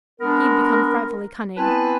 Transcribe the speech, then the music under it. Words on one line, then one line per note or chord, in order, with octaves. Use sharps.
He had become frightfully cunning.
G#3 B3 D4 A#4
B3 C4 E4 B4 G#5 A5